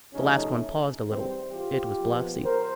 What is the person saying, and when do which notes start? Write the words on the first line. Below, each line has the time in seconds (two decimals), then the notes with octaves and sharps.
The last one paused a little; it was Blasi.
0.13 E2 C3 F3 A3 C#4 D#4
1.06 G#2 E3 G3 C4
1.52 F4 G4
1.99 A#2 F3 G#3 B3
2.44 A#4 C5